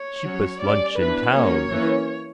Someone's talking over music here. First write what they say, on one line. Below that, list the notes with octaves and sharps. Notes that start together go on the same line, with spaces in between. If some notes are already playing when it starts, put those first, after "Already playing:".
Cheapest lunch in town.
Already playing: C#5
F#3 C#4
G3 C#4 D5
E3 B3 D4 B4
F#3 A#3 C#4 C#5
E3 A#3 C#4